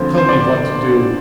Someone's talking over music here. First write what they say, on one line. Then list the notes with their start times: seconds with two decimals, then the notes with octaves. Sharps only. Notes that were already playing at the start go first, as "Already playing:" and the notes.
Tell me what to do!...
Already playing: D2 D3 F3 C4 F4 C5
0.18 C5
0.29 D5